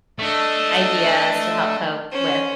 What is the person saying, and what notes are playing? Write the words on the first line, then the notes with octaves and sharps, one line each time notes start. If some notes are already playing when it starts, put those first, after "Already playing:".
ideas to help cope with,
A3 D4 D#5
C#4 C5